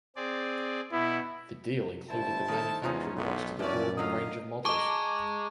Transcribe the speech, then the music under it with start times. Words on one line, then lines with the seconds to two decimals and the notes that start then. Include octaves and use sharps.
The deal included the manufacturing rights to the Gordon range of models.
0.16 C4 G#4 D5
0.92 B2 B3 E4
2.10 G1 E4 C5 A5
2.48 D#3 A4
2.84 E2 F3 G#3 C#4 D#4 F4
3.16 B1 A2 B3
3.59 F#2 E3 F3 C#4 E4 D5
3.98 D3 F#3 F4 D#5 F5
4.65 G#4 D#5 A5 A#5 C#6 D6